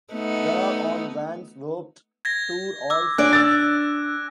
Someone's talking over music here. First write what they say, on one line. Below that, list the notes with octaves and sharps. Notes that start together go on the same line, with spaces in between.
They are on Vans Warped Tour all summer.
A3 B3 D#4
G#6 A#6
D6 E6
D4 D5 G#5 F#6 D7
E6 A6